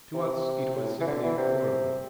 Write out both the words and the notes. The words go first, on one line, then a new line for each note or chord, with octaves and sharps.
To us it was simply horrible.
C3
A2
E3
D3
E3
C3